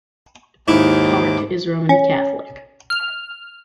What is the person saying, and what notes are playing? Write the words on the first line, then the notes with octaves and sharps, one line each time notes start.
Tartt is Roman Catholic.
D#2 G#2 E4 D6
C#4
F6